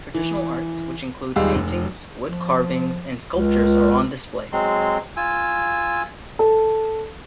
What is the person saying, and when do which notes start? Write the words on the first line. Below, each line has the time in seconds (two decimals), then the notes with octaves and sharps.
Traditional arts which include paintings, wood carvings, and sculptures are on display.
0.14 E3
1.36 D#1 G3 G#3 F5 E6
1.55 F1
2.24 F3
3.36 C#2
4.53 F#3 G#3 C4 C6
5.17 F4 G#5 E6
6.39 A4